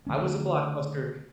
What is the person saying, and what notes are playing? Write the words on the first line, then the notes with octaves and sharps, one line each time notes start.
I was a Blockbuster
D3 A3 C#4